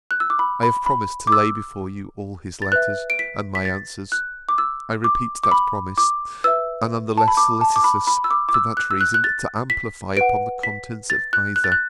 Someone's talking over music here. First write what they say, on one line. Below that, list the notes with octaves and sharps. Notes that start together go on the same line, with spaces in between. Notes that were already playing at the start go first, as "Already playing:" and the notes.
I have promised to lay before you all his letters, and my answers: I repeat that promise: and am the less solicitous, for that reason, to amplify upon the contents of either.
F#6
E6
D6
B5
B5
B5
D6
E6
A6
B4 E5 F#6
D7
B6
B6
A6
F#6
D6
E6
D6
D6
B5
D6
B4 E5 E6
A5
B5
D6
A5
D6
B5
B5
E6
D6
D6
E6
F#6
E6
F#6
F#6
A6
B6
B4 F#5 D7
B6
A6
F#6
F#6
A6
F#6